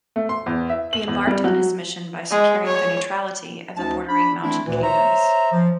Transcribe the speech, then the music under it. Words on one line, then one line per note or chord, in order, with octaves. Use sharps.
He embarked on his mission by securing the neutrality of the bordering mountain kingdoms.
A3
C6
E2
E5
F#7
E2
G3
F#3
G#3
C#5
D2 C#4 D#4 A5
D4 B5
E3 A3 C4 D4 E4
D2 A#2 E3
C5 C#5 E5 A#5
F3